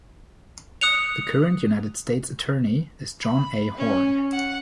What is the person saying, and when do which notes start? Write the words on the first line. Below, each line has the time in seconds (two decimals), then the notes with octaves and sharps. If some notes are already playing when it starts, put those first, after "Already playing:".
The current United States Attorney is John A. Horn.
0.81 D#6 F#6 C#7 F7
3.20 B5
3.77 C#4
4.31 F#5